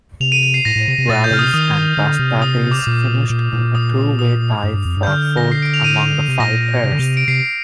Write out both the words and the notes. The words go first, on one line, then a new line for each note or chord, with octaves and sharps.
Rallis and Paspatis finished in a two-way tie for fourth among the five pairs.
C3 F7
D#7
D#7
C7
A2 A#6
A2
C3
C3
A#2 A6
G6
C3 F6
D#6
D#3 D#6
D3
C3
D#6
D6
A#2
A#2
A#2
D#6
D#6
G2
G2
F2
G2
G6
D3 F6
G6
A#6
C7
D7
F7
D#7
C3
A#2 A#6
C3
D3
C3
D7
C3 C7